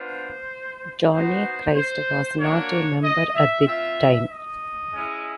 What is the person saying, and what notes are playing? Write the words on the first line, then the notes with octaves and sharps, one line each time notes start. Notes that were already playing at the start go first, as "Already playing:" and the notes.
Johnny Christ was not a member at the time.
Already playing: B3 D4 F4 C5
B3 D#4 F#4 C5
C5
A#3 D4 F#4 C#5
D#5
E5
C4 F4 E5
D#5
G#3 C#4 E4